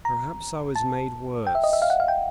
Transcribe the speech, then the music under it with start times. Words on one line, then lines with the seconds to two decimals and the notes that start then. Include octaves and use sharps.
Perhaps I was made worse.
0.05 A#5
0.75 A5
1.47 G5
1.55 E5
1.64 D#5
1.73 E5
1.82 F5
1.90 F#5
2.00 F5
2.08 G5